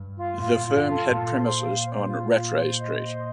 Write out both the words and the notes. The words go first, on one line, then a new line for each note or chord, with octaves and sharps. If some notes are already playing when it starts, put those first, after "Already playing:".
The firm had premises on Rattray Street.
Already playing: G2
F4
A2 F4
A#2
F4
G2
A4
A#2 F4
C5
F5
C5
F4
F4
C5
D#5
C5